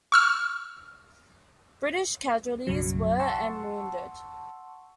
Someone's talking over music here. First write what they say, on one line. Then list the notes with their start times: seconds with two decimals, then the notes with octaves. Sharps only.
British casualties were and wounded.
0.12 C#6 E6 F6
2.67 B1 F#2 C#3 F#3
3.20 F#5 A5 C6 C#6 E6